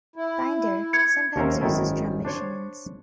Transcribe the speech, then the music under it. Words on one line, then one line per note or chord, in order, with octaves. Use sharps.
Binder sometimes uses drum machines.
E4
G#6 C#7
D#2 C#4 A#4 C5 E5 A#5
G#1 F#2 D#3 E4 A4
D4 C5 C#5